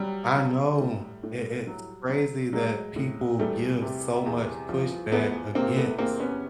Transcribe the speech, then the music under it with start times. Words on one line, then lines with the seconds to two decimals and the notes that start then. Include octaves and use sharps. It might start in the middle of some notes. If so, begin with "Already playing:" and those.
I know i it's crazy that people give so much pushback against,
Already playing: F#3 G3
0.37 F#3
0.80 A2
1.23 A2
1.67 F#3
2.09 F#3
2.53 A2 F#3 G#3
2.96 A2
3.39 E2 G3 A3
3.82 C3
4.26 E2
4.69 F3
5.12 E2 A3 B3
5.55 C3 A#3 C4
5.76 A3 B3
5.98 E2 A#3 C4
6.20 B3 C#4